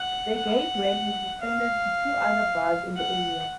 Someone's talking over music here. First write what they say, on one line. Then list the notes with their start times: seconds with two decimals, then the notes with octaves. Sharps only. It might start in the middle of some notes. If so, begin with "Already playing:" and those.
The G-A-Y brand has expanded to two other bars in the area.
Already playing: F#5
0.37 F#5
1.41 F5
2.96 F#5